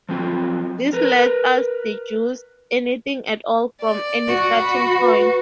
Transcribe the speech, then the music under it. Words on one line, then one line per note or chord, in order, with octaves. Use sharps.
This lets us deduce anything at all from any starting point.
F3 F#3 C4 E4 F4
A#4 B4
D5
F#4
B5
B4